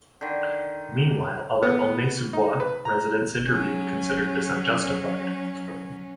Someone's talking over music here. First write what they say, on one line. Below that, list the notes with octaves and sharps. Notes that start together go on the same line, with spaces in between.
Meanwhile, other Aulnay-sous-Bois residents interviewed considered this unjustified.
D3 D#3
B3
D#4
B4
A#5
F#3 C#4